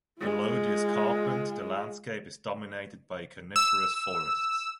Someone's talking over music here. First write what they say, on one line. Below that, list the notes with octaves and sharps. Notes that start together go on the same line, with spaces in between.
Below the escarpment the landscape is dominated by coniferous forests.
G#3 F4
E6